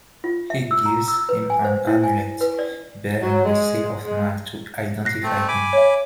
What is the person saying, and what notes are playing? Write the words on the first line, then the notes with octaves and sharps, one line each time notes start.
He gives him an amulet bearing the seal of Mar to identify him.
F4
E5
E6
A#5
E6
B4
G#5
C5
E4
G#5
B4
D5
F#3
G#3
G#3
F#6 A#6 C7
A3 C4
G#5 B5 D6
C#5 E5